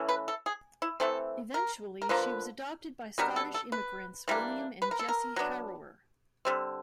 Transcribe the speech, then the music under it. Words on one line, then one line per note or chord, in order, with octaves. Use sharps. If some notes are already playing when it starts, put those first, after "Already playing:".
Eventually, she was adopted by Scottish immigrants William and Jessie Harrower.
Already playing: E3 A3 C#4
B4
A4
G#4
E4
E3 A3 C4 A4
A#4
A#4
D3 F3 A#3 B4
B2 G3 B3 D4 A#4
A4
A4
B4
E3 G3 A#3 D4
B4
A#4
A4
A#4
F#3 B3 D4
D3 G3 C4